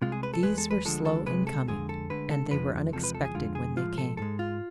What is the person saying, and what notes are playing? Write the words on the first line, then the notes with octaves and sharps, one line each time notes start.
These were slow in coming, and they were unexpected when they came.
C2 C3 G#3 F4
G#4
B4
A4
E2 B2 G#3 B4
A4
B4
D2 D3 F3 G#3 A4
A4
C2 C3 G#3 B4
A4
F2 D3 G#3 G#4
A4
D2 D3 G#3 B4
A4
F2 D3 F3 G#3 B4
E2 C3 F3 G#3 A4
B4
A4
G#4
F2 D3 G#3 F4
G#4
A2 F3 G#3 F4
A4
G#2 G#3 A4
F4